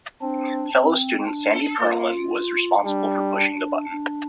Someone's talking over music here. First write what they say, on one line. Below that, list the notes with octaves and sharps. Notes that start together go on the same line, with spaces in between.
Fellow student Sandy Pearlman was responsible for pushing the button.
C4 D4
C4
D4
A#3 F4
G3 D4
D4
D4